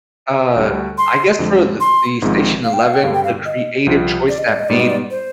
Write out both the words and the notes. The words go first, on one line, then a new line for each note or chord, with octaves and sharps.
uh, I guess for th the Station Eleven, the creative choice that made
D2 D3 G3
C6
F2 D3 G#3
C6
G#1 G#2 F3 G#3 C4
F5
G5
F5
G5
G2 D3 G3 F5
G5
F5
D#5
C2 C3 F3 C4 F4
D5
D#5
D5
D#5
G#2 G3 B3 D5
D#5
D5
C5